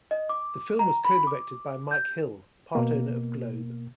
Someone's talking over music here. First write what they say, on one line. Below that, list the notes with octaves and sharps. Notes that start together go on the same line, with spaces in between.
The film was co-directed by Mike Hill, part owner of Globe.
D#5
D6
A#5
B5
D6
G6
B2 A#3